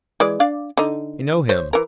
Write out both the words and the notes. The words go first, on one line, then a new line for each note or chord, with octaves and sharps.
I know him.
E3 G#3 D5
D4 D5 F5
D3 D#4
C5 C#5
E3 A#4